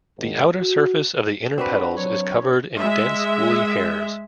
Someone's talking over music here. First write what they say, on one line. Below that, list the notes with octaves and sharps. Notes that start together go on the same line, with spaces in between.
The outer surface of the inner petals is covered in dense woolly hairs.
G#1
F#4
C4 D4 F#4 B4
F#3 C#5
G#3 E5